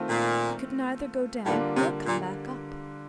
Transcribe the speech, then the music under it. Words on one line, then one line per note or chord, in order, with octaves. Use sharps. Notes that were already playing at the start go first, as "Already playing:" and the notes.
He could neither go down nor come back up.
Already playing: D#3 A3 C4 F4
A#2
A2 D3 G3 A#3 D4 F4
C3
A#2